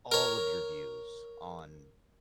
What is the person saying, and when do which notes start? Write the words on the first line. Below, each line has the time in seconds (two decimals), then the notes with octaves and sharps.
all of your views on
0.12 A#4 C#5